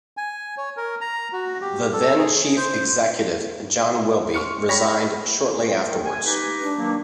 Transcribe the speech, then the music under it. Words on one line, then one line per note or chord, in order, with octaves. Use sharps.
The then-chief executive, John Wilby, resigned shortly afterwards.
G#5
C#5
A#4
A#5
F#4
G4
A4
G#4
C5
C5 C#6 F6 C#7
C#5 G5 B5 C6 A#6 B6
D#3
G#5
D#4 G4 B4
D4
D#3 F#3 A#3